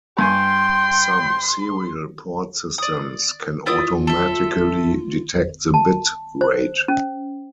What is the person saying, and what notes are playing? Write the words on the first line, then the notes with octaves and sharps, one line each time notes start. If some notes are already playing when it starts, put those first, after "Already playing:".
Some serial port systems can automatically detect the bit rate.
G2 G5 G#5 C6 C#6
D5 D#6
E4 F4 D5 D#6
A4 E5
A5
C5
C#4